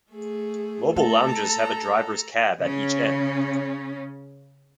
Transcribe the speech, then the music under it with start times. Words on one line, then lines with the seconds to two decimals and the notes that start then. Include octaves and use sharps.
Mobile lounges have a driver's cab at each end.
0.12 A3 G#4
0.96 A3 A4 A5 A#5
2.62 C#3 C#4